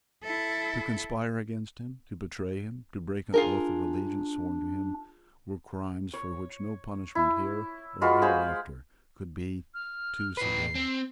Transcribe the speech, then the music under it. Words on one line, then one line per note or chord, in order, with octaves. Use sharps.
To conspire against him, to betray him, to break an oath of allegiance sworn to him, were crimes for which no punishment here or hereafter could be too severe.
E4 A4
D4 F4 G#4 A#4
C#5
E4
G#3 F4 F#4 B4
G#4 C5 F5 B5
F6
A2 B4 C7
C4